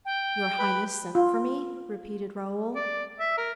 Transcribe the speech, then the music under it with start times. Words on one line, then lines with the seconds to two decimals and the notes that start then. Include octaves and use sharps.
"Your highness sent for me?" repeated Raoul.
0.05 G5
0.59 B4 B5
1.15 F4
2.75 D5
3.20 E5
3.38 A#4